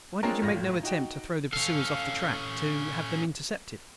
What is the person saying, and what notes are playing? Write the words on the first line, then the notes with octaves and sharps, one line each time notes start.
"Why did you make no attempt to throw the pursuers off the track, to have them intercepted?"
G#3 C4 D4 F4 A#4 C#5
G#1 F2 A2 F4 A#6
D#4 F#4 G5
C#4 A4 F5